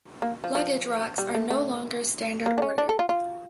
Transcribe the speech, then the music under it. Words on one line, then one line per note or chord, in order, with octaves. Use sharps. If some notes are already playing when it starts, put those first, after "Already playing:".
Luggage racks are no longer standard order.
A#3
F3
F3
G3
A3
A3
A#3
D4
C#4
D4
A4
F4
F4